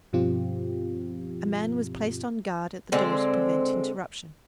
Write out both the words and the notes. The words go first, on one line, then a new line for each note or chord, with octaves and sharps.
A man was placed on guard at the door to prevent interruption.
G2 B2 F3 C4 F4 G4
D3 G#3 C4